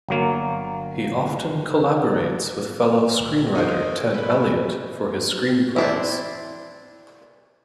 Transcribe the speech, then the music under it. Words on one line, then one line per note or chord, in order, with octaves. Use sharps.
He often collaborates with fellow screenwriter Ted Elliott for his screenplays.
G1 F#3 A#3
C#2 A#2 D#3
F#4 A4 A#4 C5 D#5
B4
C4 D4 E4